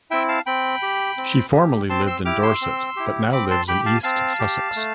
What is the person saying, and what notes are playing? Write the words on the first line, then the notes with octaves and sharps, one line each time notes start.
She formerly lived in Dorset but now lives in East Sussex.
C4 E4 E5 G5
F5 A5
C4 G5 B5
G4
C4
G4
C4 A5 C6
C6 E6
E4 G4 D6 F6
C6 E6
C4
E4 G4
C4 B5 D6
A5 C6
G4 G5 B5
F5 A5
C4 F5 A5
G4
A3